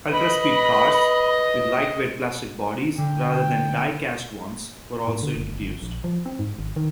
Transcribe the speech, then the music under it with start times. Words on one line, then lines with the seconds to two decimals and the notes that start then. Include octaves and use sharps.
Ultraspeed cars, with lightweight plastic bodies rather than die-cast ones, were also introduced.
0.11 B4 D#5 B5
2.98 D3 G5
5.08 A2
5.23 D3
5.36 F#1
5.49 G1
5.62 G#1
5.82 A#1
6.04 F3
6.26 C4
6.39 G#2
6.59 G#1
6.76 D#3